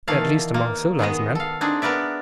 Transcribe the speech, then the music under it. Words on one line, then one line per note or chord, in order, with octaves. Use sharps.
"At least among civilized men."
B2 D#3 E3 A4 D5 F5
A#3
D#3 G#3 B3 D#5
A4 F5
C4 D4 D#4 G#4
B3 A#4 B4 D5 E5